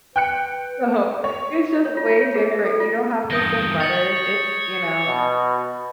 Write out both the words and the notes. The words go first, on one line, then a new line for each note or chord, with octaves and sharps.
So, it's just way different. You don't have to send letters. It's, you know,
B4 G5 F#6 C#7
C#5
C#5
F4
F4
C#5
G#4
E5
A4
F4
E2 G2 D#6 G6 A#6
C#5 A6 F#7
B2